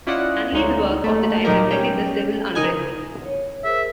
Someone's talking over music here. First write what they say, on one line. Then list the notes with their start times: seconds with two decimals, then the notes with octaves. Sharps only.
Manley's work of the time reflected this civil unrest.
0.07 C#4 E4 F4 D5 D#5 F#5
0.52 D2 G#3 D#4 C#5
1.04 A3 A#3
1.45 A#2 F#3 D#4 G4 A#4
1.71 C#4 G5
2.55 C#3 D#4 A#4 D#5 G#5 G#6
3.25 C#5
3.64 G#4 A#4 C5 E5